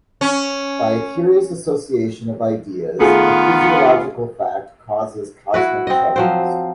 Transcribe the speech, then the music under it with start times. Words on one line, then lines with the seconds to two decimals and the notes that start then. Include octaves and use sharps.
By a curious association of ideas, a physiological fact causes cosmic troubles.
0.21 C#4
3.00 D#3 A3 B3 F4 G#4
5.54 E4 F#4 B4
5.87 C4 D#5
6.16 F3 F#3 C5